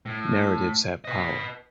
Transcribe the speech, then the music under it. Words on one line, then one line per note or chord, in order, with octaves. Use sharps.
Narratives have power.
A2
B4 D#5